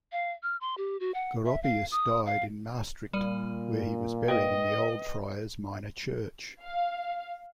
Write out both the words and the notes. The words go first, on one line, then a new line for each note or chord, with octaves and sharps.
Goropius died in Maastricht, where he was buried in the old friars minor church.
F5
F6
C6
G4
F#4
F#5
E5
F5
D#6
F5
A#2 G3 D5 D#7
B4 D#5 G5
F5